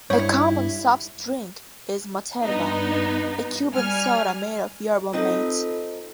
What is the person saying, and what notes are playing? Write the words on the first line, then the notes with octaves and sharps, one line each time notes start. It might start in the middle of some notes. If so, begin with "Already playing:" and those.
A common soft drink is Materva, a Cuban soda made of yerba mate.
G2 E4 C#5
G2 B3 D#4
G3 G#5 F6
C4 D#4 F4 A4